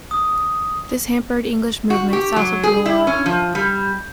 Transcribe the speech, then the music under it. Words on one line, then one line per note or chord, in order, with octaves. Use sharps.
This hampered English movement south of the Loire.
D#6
F#4
G4
F#3
G#4
E4
C#4
F3
G3